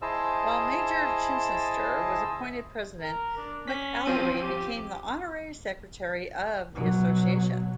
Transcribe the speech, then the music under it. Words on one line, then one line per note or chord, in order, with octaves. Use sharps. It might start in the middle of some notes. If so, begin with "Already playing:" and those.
While Major Chichester was appointed president, McAlery became the honorary secretary of the association.
E4 G#4 C5 D#5 A5 E6
A#4
D4
C#4 B6
F3 C4 D#7
G4
B2 F#3